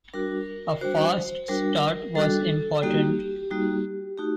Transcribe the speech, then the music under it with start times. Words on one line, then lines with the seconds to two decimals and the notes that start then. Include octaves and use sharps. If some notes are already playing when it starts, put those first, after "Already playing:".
A fast start was important.
0.14 G3 D4 F#4 A#4
0.81 G3 D4 F#4 C5
1.48 G3 D4 F#4 A#4
2.15 G3 D4 F#4 A4
2.83 G3 A#3 D#4 F#4 G4
3.51 G3 A#3 D#4 F#4
4.18 A3 D#4 F#4 G4